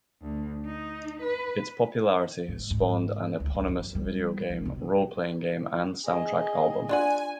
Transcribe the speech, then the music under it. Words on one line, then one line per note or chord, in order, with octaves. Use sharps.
Its popularity has spawned an eponymous video game, roleplaying game, and soundtrack album.
D2
D#4
B4
G#2
G#2
D2
D2
F#2
G3
F3
B1
G#4 D#5
D4 F4 F#5 G#5